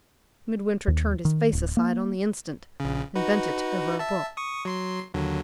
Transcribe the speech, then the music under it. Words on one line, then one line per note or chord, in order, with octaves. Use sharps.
Midwinter turned his face aside on the instant, and bent it over a book.
D#2
D#3
D1
A#3
A#1 C#3
D#4 F#4 B4
E5 A5
C#6 D#6
F#3 C6 C7
D#2 D3 F#3